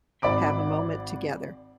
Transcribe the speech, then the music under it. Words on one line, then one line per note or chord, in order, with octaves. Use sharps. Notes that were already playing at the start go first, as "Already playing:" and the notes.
have a moment together.
G#1 D5 B5 D6 D7